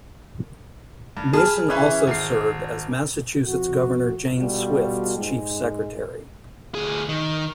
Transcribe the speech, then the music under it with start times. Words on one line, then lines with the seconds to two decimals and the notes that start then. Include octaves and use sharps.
Mason also served as Massachusetts Governor Jane Swift's chief secretary.
1.17 G2
1.33 G#4 A5 B5 F6
1.70 E3 C#4 E4
2.07 G#1 C7
3.45 F2 F#4
4.38 B2 G3 F4 F#4 A4
5.17 G#2 G#3
6.75 D2 G#4
7.09 D#3